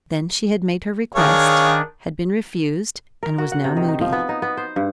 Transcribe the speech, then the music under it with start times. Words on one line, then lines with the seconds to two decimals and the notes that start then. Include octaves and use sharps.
Then she had made her request, had been refused, and was now moody.
1.15 D#3 D4 G#4 C#5 F5
3.23 A#4
3.38 F#4
3.52 F#5
3.64 C3
3.77 D#3
3.88 D#4
4.01 F3
4.12 B3
4.29 D#4
4.42 B3
4.57 C5
4.76 G2